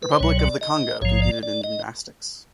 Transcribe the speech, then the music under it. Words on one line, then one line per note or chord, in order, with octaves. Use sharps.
Republic of the Congo competed in gymnastics.
B4
C5
C2 B2 F#3 C#5
D5
D#5
A#1 G#2 F3 C#5
D5
D5
D#5